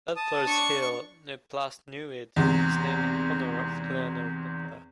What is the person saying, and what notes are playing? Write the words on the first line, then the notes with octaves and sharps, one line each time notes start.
Butler's Hill, near Plas Newydd, is named in honour of Eleanor Butler.
A5 D#6
D4 C#6
E2 G#2 C3